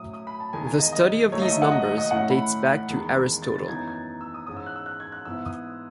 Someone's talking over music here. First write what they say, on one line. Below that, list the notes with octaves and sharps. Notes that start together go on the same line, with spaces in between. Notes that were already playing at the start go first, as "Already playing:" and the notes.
The study of these numbers dates back to Aristotle.
Already playing: A2 F#3 C#4 E4 D#6
D#6
B5
A5
E2 D#3 G#3 G#5
G#5
D#5
D#5
D#2 D#3 F#3 A3 C#5
D#5
E5
F#5
D#5
D#5
D#5
A2 E3 A3 C#4 F#5
B5
E2 D#3 G#3
A6
A6
F#2 E3 B3 D#4 G#6
G#6
E6
D#6
G#2 E3 G#3 C#4 D#6
E6
F#6
E6
F#6
G#6
F#6
G#2 E3 B3 E4 E6
D#6